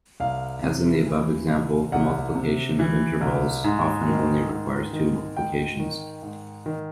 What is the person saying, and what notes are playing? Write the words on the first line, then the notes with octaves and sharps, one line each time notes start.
As in the above example, the multiplication of intervals often only requires two multiplications.
C2 F5
C3
E3
C2
C2 F#5
C3
E3
C2
G#2
D#3
G#2
D#3
G#2 G5
D#3
G#2
D#3